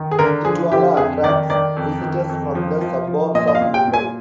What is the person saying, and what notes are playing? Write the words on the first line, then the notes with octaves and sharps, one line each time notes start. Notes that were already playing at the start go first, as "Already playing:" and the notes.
Titwala attracts visitors from the suburbs of Mumbai.
Already playing: D#3
G#4
D3 A#4
F3 G#4
D3 G4
F2 G#4
D#3 D5
D#3 D5
F2
D#3
F2
F3
F3
F3
A#2 D#5
D#5
F5
A#2
G5
A#2
G#5